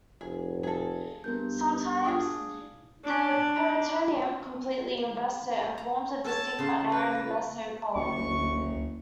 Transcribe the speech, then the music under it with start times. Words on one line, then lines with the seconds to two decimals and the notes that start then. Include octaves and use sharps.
Sometimes the peritoneum completely invests it and forms a distinct but narrow mesocolon.
0.21 F1 G#4
0.63 G#4 A4
1.24 G2 B3 A#4 G6
2.04 D4 F4 G#4 A5 D#6
3.04 D4
5.78 A#5
6.24 A4 C#5 A5
6.59 C#3 C6
6.89 B4
7.96 F#1 D2 C#6